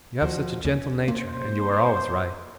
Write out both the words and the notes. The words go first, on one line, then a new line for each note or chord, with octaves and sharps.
You have such a gentle nature, and you are always right.'
D#2 F3 F#4 C5
D#2 C#4
A#3 C5